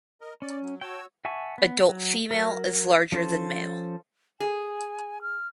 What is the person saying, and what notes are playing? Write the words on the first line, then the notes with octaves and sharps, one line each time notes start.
Adult female is larger than male.
A#4 D#5
C#4 D5
F#3
F#4 C#5 G5 A5 E6
E5 F#5 G#5 A5 C#6
B3
F#3
F#3 A#4
F3 C#4 A4 C5
G#4 G#5
F6